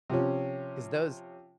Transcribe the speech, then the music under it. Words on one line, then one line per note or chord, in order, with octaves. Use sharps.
'Cause those
C3 F3 C#4